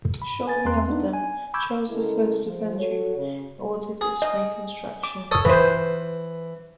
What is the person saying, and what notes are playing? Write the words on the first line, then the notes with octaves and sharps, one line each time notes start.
Shortly after, Charles the First of Anjou ordered its reconstruction.
B5
B4 G#5 A6
E2 G#3 C4 A#5 C6 F#6
B3 D4 D#4
G#5
B5 C#6 D6 E6 G6 G#6
C#3 G#3 E4 A4 A#4
F3
F#4 A4 C#5
C#3
G#4
D#5
D6
A4 C#5 D#6
E3 B4 C5